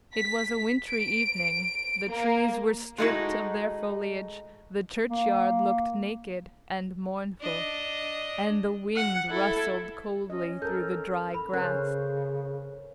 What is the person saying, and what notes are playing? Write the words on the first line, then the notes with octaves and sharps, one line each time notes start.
It was a wintry evening: the trees were stripped of their foliage, the churchyard looked naked and mournful, and the wind rustled coldly through the dry grass.
B6
D7
A#3
G#3 A3 D#4 E4 F#4
A#3
D4 D#5
F#5
E4 A4
C#4 D#5
A4 A#4 G6
B5
C#3 C#4 A#4 C5 F#6